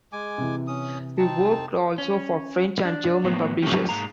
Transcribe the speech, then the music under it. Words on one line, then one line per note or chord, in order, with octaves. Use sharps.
He worked also for French and German publishers.
G#3 G#5 D6
C3 E3
C#4 D#6
C4 D#4 A5
C#4
D4
A2 F3 F#3 A#3 B3
F#3 C#4 F4 G4
G#2 G#3 A#3 A#5